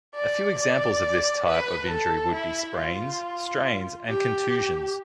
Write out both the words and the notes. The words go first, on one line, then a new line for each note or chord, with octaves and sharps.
A few examples of this type of injury would be sprains, strains, and contusions.
D5
D5
B4
A4
E4
F4
G4